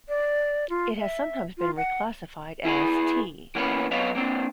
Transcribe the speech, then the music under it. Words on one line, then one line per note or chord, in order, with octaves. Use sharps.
It has sometimes been reclassified as T.
D5
F4
E5
F4
F#5
E4 G#4 A4 B4
E3 A#3 B3 C#4 B4
F#3 B3 B4 C#5 D#5 F5
A#3 C4 D4